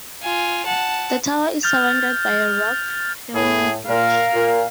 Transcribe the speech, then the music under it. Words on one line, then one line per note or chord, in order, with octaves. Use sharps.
The tower is surrounded by a rock-hewn ditch.
F4 G#5
F#5 A5
F6 G6 A6 F7
A2 G#4
A#2 A#4 F5
A#2